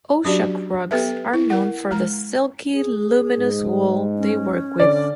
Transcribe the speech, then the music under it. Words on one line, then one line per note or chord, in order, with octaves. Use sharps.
Oushak rugs are known for the silky, luminous wool they work with.
F#3 C#4 D4 F#4 G4 D5
B3 G4 A4 B4 E5
E4
A#4 F#5
G#3 A#5
G#4
G#2
C#4
D3 D5